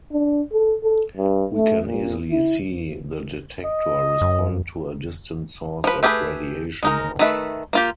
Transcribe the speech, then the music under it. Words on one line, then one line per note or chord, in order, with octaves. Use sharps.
We can easily see the detector respond to a distant source of radiation now.
D4
A4
A4
G2
A3
A#2
E4
D#5
F#2
F3 B4
A3 G4 G#4 A#4 B4
G#3 D#4 A#4
D#3 A3 B4 E5
A#3 F4 G4